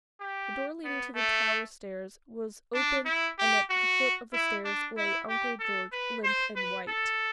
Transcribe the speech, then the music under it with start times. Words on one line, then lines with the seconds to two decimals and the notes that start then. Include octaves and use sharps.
The door leading to the tower stairs was open and at the foot of the stairs lay Uncle George, limp and white.
0.20 G4
0.84 B3
1.16 A3
2.74 D4
3.06 E4
3.38 G4
3.70 F#4
4.33 E4
4.64 D4
4.97 E4
5.29 G4
5.60 A4
5.92 B4
6.24 C5
6.56 B4
6.88 A4